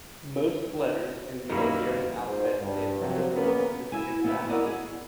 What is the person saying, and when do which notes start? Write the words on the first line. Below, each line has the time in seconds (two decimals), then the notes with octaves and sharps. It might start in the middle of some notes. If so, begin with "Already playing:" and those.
Most letters in the Bulgarian alphabet stand for just one specific sound.
1.49 F#2 D#3 G3 A#3 E4
2.26 G#2 F4 C5
2.60 G2
3.00 C3 F3 F#3
3.31 F2 C#3 A#3 B3 C#4 A#4
3.92 E4 G#5
4.24 B3 E4 E5
4.50 E4 F#4 A#4 B4 D5 D#5
4.66 E4 G#4